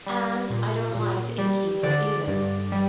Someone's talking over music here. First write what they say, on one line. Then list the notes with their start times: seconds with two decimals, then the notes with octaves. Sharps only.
And I don't like the innkeeper either.
0.06 G3
0.50 A#2
0.95 A#2
1.38 G3
1.83 D3 D5
2.27 G2
2.72 G3